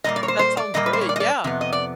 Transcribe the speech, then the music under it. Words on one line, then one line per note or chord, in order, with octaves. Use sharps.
That sounds great, yeah.
A#2 G3 A#3 D#5
D5
C#5
C5
C5
D5
A#2 G3 A#3 D#5
B4
C5
C#5
D5
D#5
D5
F2 C3 B3
D#5
D5